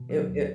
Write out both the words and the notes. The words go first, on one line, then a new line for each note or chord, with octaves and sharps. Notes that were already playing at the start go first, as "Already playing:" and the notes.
It it
Already playing: B2
F#3
D#2